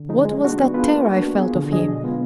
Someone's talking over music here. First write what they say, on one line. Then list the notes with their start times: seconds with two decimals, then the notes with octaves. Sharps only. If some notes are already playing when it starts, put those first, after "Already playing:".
What was that terror I felt of him?
Already playing: D3
0.09 F3 G#3 D#4
0.25 G#3
0.41 D4 F#4
0.58 B3
0.74 D4 F4 G#4 B4
0.90 A#3
1.06 D4 F#4
1.22 B3
1.38 F4 G#4
1.55 D3
1.71 F#3 D4 G#4 D#5
1.87 B2
2.03 G#3 B3 F4